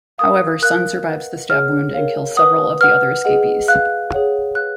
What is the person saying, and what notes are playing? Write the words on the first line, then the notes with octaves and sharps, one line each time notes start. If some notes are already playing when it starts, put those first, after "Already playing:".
However Sun survives the stab wound and kills several of the other escapees.
A#4 F5 D#6
A#4 F5 F#6
B4 D#5 F#5
G#4 C#5 F#5 F6
A#4 C#5 F5
B4 F#5 D#6
B4 F#5 F6
G#4 D#5 F#5
B4 F5 F#6
G#4 C#5 F#5
B4 F5 F#6